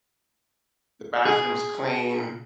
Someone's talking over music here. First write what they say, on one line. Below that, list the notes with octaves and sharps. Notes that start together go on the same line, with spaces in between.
the bathroom's clean,
G#4